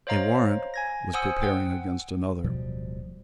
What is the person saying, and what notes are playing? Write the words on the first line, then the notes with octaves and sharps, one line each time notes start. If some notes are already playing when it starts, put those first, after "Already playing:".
A warrant was preparing against another.
C5 C#5 D#5 F5 A#5
G#5 G#6 A#6
C5 F#5 G#5 D#6 E6 C#7
F#5 G5
D1 B2 F3 G3